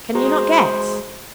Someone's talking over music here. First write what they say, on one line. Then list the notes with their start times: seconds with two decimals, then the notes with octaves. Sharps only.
Can you not guess?
0.15 G#3 F#4 G#4 C5 A#5